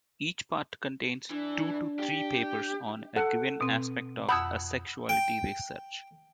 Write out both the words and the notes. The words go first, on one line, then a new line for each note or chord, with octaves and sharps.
Each part contains two to three papers on a given aspect of asexuality research.
E3 D4
G4
A4 F#5
B2 C4
F2 F#5 B5 D#6 E6 G6
G5